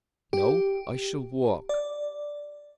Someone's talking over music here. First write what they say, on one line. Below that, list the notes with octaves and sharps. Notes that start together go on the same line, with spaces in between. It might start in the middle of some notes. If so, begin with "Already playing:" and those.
"No; I shall walk."
G4
D5